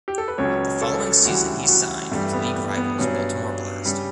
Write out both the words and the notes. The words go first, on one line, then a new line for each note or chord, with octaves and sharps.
The following season he signed with league rivals Baltimore Blast.
G4
A4
B4
C#2 C#3 F#3 C#5
A4
D2 C#3 E3 G3 F#4
F#4
G2 E3 G3 A3
B3
B3
G2 F#3 C#4
C#3 G3